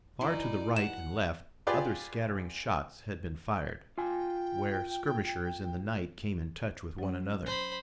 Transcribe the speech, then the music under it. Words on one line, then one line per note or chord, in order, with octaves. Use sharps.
Far to the right and left other scattering shots had been fired, where skirmishers in the night came in touch with one another.
F#2 D#4 E4 D5
F#5 E7
F4 G4 G#4 B4 D5
F4 G5 G#5
F#3 C#4
C5 B5